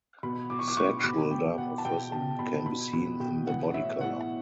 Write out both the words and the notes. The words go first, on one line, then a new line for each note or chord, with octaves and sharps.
Sexual dimorphism can be seen in the body color.
B2 B5
B2 D6
C#6
D6
B2 C#6
B2 B5
B2 G5
B2 F#5
A5
B2 G5
B2 A5
B2 B5
B2 B5
B2 B5
B2 G5
E3 F#5
A2 E5
A2 F#5